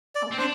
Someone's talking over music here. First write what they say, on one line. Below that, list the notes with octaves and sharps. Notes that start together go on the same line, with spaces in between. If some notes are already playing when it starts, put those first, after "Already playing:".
I went
D5
C4
D4 C5